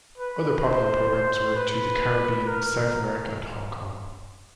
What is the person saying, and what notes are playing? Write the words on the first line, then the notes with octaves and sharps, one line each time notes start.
Other popular programs were to the Caribbean, South America, and Hong Kong.
B4
C5
C5
B4
A#4